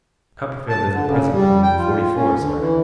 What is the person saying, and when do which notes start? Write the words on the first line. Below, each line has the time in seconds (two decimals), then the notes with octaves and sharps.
Copperfield is at present in forty-four, sir.'
0.69 A5
0.92 D3
1.07 C#3
1.32 G3
1.63 G5
1.78 F4
2.16 C#4
2.39 D3
2.59 E3